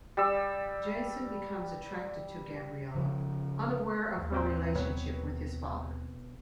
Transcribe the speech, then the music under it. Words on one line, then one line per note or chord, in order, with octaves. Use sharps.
Jason becomes attracted to Gabriela, unaware of her relationship with his father.
G3 E6
C#3 F3
D#2
G#1 A#2 C4 G5 C6
B2 F#3 B3 B4 C#5